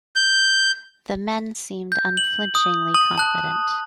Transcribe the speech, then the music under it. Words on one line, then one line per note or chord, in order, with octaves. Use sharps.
The men seemed unflinchingly confident.
G6
G6
F#7
D#6
D#6 F#7
A5 F#6